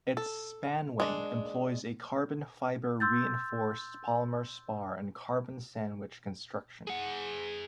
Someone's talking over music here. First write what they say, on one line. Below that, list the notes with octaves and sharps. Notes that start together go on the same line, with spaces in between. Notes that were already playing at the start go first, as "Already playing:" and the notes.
Its span wing employs a Carbon-fiber-reinforced polymer spar and carbon sandwich construction.
A4
G#3 D4
C6 E6 G6 A6
G#4 F#5